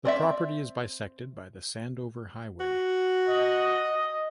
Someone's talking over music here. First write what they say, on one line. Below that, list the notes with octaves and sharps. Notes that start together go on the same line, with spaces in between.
The property is bisected by the Sandover Highway.
C4 D5 E5
F#4
D#5